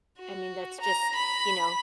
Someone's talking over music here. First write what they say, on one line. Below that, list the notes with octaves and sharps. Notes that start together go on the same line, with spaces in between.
I mean that's just, you know,
F#4
A#5
B5